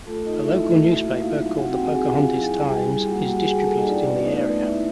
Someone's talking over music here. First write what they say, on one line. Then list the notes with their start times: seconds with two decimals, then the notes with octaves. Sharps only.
A local newspaper called "The Pocahontas Times" is distributed in the area.
0.06 A3 F4 A4
0.26 D#4 F4 D#5
0.44 E4 F4 E5
0.64 A3
0.82 F#4
1.02 A#3
1.21 D#4 F4 F5
1.40 F#3
1.58 C4 F#4 F#5
1.71 G4 G5
1.78 C4
1.83 G#4 G#5
1.97 F4
2.15 F4 F5
2.34 E4 G#4 G#5
2.53 G3
2.73 G3 G4 G5
2.91 G3
3.11 A#3 F#4 F#5
3.20 G4 G5
3.29 F#4 G#4 G#5
3.40 G#4 G#5
3.48 F#4 G4 G5
3.58 A4 A5
3.67 A#3 G#4 G#5
3.77 D#4 D#5
3.86 D4 F4 D5
4.06 B3 C#4 B4
4.25 A3 D#4 D#5
4.44 A3
4.63 D#4 E4 E5